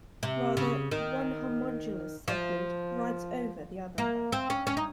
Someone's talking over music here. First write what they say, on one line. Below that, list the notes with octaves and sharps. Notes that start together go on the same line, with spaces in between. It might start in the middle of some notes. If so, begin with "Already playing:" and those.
Rather, one homologous segment "writes over" the other.
C3
C#3
D#3
F3
A#3
C4
C#4
C#4
D#4